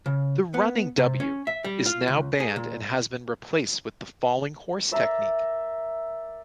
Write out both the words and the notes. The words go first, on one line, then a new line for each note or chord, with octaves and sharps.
The 'Running W' is now banned and has been replaced with the falling-horse technique.
C#3
B3
C3
C#4
E5
G3
F4
C#2
G#4
A#2
A#4 D5 E5 A#5